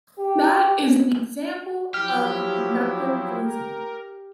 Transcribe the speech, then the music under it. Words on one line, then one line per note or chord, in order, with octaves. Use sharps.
That is an example of inductive reasoning.
G4
F3 F#3 E4 G4 F6
A#4